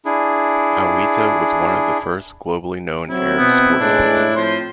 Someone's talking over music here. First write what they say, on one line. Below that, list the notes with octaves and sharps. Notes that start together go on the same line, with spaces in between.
Aouita was one of the first globally known Arab sportspeople.
D4 E4 G#4
F#3 C4 E4
B2 B3
C#2 A2 E3 G#3 D4
F2 F3 C5